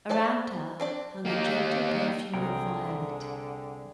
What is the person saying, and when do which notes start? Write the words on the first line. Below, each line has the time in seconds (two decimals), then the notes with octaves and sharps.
Around her hung a gentle perfume of violet.
0.09 A4 C5 D5 A5
0.80 C4 D4 D5
1.25 A#3 G4
2.34 C2 D3 G#4 G5 A#5